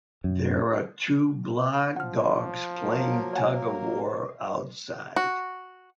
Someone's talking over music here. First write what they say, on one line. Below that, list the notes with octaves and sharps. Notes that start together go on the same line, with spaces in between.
There are two blog dogs playing tugofwar outside.
F#2
F3 F#5 F6
F#3 A#3 A#4
C#5 F#5 G#5
F#4